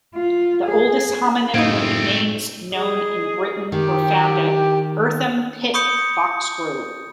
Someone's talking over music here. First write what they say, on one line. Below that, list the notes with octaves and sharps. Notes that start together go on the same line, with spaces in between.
The oldest hominin remains known in Britain were found at Eartham Pit, Boxgrove.
F4
G#4
F#1 A2 A3 C4 D#4 C5 F5 G#6
G#4 D#5
D#3 G4
B5 C#6 D#6 G6 C#7